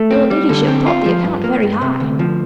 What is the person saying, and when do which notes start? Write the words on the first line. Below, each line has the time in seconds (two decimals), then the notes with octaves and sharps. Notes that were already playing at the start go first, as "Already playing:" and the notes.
"Your ladyship thought the account very high."
Already playing: A3
0.11 C4
0.30 G3
0.49 D3
0.68 C4
0.86 F4
1.06 F3
1.25 G2
1.44 A#3
1.63 G2
1.82 C3
2.00 D2
2.19 F3